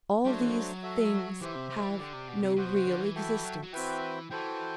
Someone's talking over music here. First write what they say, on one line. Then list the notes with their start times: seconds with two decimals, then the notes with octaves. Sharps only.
All these things have no real existence.
0.25 G3 A3 D4 F#4 C5
0.34 F#3
0.41 E3
0.50 F#3
0.83 F#4 A4 E5
1.41 E3 G4 C5 E5
1.55 C3
1.70 C3
1.79 G3
1.89 E3
1.98 D3 G4 D5 G5
2.13 C3
2.28 B2
2.43 C3
2.56 C3 F#4 C5 F#5
2.66 B2
2.75 C3
2.86 D3
3.00 E3
3.15 F#4 A4 E5 G5
3.44 F#3
3.63 F#3
3.73 E3 C4 F#4 B4 E5 G5
4.30 E3 F#4 A4 C5 G5